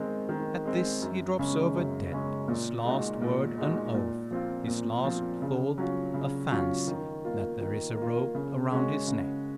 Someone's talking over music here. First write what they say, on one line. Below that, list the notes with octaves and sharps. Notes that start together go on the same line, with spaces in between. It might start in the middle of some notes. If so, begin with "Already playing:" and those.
At this he drops over dead, his last word an oath, his last thought a fancy, that there is a rope around his neck!
Already playing: D#3 G#3 C4
D#3
G#3 C4
F#2
C#3 G#3 C#4
F#2
C#3 G#3 C#4
A#2
G#3 D#4 F#4
A#2
G#3 D#4 F#4
A#2
F3 C4 F4
A#2
F3 C4 F4
C#3
F#3 C#4 F4
C#3
F#3 C#4 F4
D#3
A#3 F4
D#3
A#3 F4
C#3
G#3 C#4 F#4
C#3